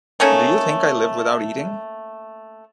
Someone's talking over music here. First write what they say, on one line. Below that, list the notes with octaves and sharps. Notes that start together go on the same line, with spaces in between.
Do you think I live without eating?
A3 A#3 C#4 D#4